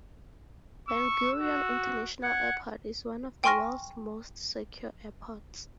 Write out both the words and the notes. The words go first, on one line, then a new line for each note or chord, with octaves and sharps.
Ben Gurion International Airport is one of the world's most secure airports.
C#6 E6
F#4
F#5 G#6
G5 G#5 C6 C#6 F6 A#6